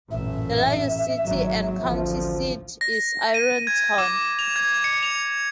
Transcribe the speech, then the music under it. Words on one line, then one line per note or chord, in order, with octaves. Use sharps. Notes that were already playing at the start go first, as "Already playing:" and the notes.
The largest city and county seat is Ironton.
A1 F#2 A#2 E5
G#1 F#3 A#3
A1 D2 F3
A#6
D#7
G#6
D6
F7
G#6
C#7
F7